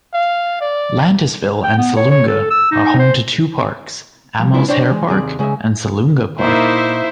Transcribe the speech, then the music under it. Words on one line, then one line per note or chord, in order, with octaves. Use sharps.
Landisville and Salunga are home to two parks: Amos Herr Park, and Salunga Park.
F5
D5
G5
B3
C#5
C#5
A4
E6
D#4
C5
F3 G3
G#3 A#3 B3 D4 E4 F4
D4 C5 C#5 G5
E3 G#3
D#2 C3 G#4 D5
C#3 G#3 G#4 D#5 E5
A#2 A#3 D#4 E4 C5 E5